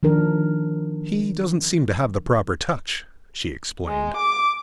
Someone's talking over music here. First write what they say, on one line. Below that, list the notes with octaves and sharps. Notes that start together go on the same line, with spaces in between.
"He doesn't seem to have the proper touch," she explained.
D#3 F3 D4 A#4
G#3
D6